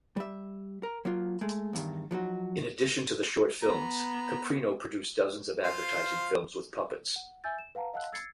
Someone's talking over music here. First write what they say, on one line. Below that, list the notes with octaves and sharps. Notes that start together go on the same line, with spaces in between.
In addition to the short films, Caprino produced dozens of advertising films with puppets.
G3 E5
A#4
F#3 A#3 F4
G#3 A3
E2 G2 D#3
F3 F#3 D#4 F#4
B3 A#5
F4 C5 F5
F#5
E5 G#5 E6 G6 A6
E7
B4 F5 F#5 A5 A#5
D#5 F5 F#5 A5 E6 F#6
E6 G#6 A6 C7 C#7